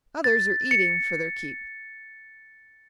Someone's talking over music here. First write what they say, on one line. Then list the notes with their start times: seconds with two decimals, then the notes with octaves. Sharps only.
"Others are eating for their keep."
0.24 A6
0.71 C#7